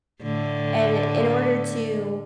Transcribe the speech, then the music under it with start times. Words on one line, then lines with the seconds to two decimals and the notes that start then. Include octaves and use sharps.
And i in order to
0.22 A2 D3